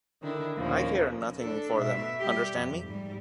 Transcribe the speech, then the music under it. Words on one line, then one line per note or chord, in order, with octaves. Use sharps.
I care nothing for them — understand me?
D3 D#3 D4 E4
D#2 A#2 F3 A#3 C#4
D4 A4
B2 E5
G3 G4
F2
G#2 G3